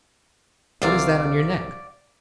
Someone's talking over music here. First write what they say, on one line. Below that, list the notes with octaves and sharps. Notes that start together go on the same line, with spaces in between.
"What is that on your neck?"
C2 C3 F#4 D5 F5